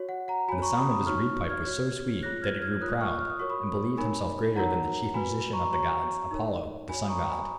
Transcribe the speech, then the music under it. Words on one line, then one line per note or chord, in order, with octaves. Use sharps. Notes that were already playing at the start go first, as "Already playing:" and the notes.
And the sound of his reed-pipe was so sweet that he grew proud, and believed himself greater than the chief musician of the gods, Apollo, the sun-god.
Already playing: F#4 C#5
F#5
F#5 A#5
F#4 C#5 G#5 B5
A#5 C#6
B5 D#6
B5 D#6
D#4 F#4 C#5 C#6 F6
F6 G#6
F#4 C#5
F4 G#4 C#5 F#6 A#6
F6 G#6
F6 G#6
F4 A#4 C#5 D#6 F#6
C#6 F6
F6
D#6
F#4 A#4 C#5 C#6
B5 D#6
D#4 A#4 C#5 G#5 B5
D#4 F#4 A#4 C#5 F#5 A#5
F#4 B4 G#5 B5
A#5 C#6
F#4 C#5 A#5 C#6
D#4 A#4 C#5
F#4 C#5 G#5 B5
D#6
A#5 C#6
G#5 B5